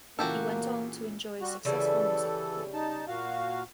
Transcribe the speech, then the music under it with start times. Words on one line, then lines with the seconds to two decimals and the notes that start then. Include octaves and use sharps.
He went on to enjoy a successful music career.
0.19 A#2 C#3 E3 A#3 F#4 G4 A4
1.41 G3 F#4
1.65 C#3 E3 G3 E4 A4
2.74 D#4 A5
3.08 A#2 F#4 F5